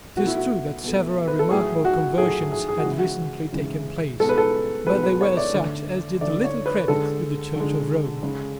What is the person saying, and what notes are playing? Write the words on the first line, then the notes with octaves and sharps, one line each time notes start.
It is true that several remarkable conversions had recently taken place; but they were such as did little credit to the Church of Rome.
B2 A3 F#4
E4
F#4
B2 A3
B4
A4
A2 F#3 A3 G#4
F#4
A2 F#3 A3 G#4
G#4
G#4
F#4
C#3 E3 G#3 E4
F#4
C#3 E3 G#3
B2 G#3 A4
B4
A4
B2 G#3 B4
B4
C#5
D5
D3 A3
D3 A3 D5
C#5
B4
D3 G#3 A4
D3 G#3
C#3 G#3